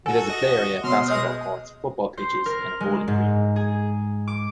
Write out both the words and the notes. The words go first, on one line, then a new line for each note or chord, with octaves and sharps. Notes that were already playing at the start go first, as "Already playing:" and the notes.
It has a play area, basketball courts, football pitches and a bowling green.
F#4 A4 G#5
D#5
B2 F#3 C6 F6
G#3 C#5 D#5 C6 D#6
C5
A#4
G#3
G#2
G#4
D6